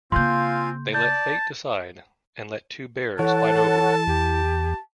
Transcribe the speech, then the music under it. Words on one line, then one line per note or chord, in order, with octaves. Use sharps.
They let fate decide and let two bears fight over it.
C#3 A#3 C4 F4 F5 G#5 C6 G6
D5 A5 G6
E3 A4 C#5 F#5 A5
E2 G4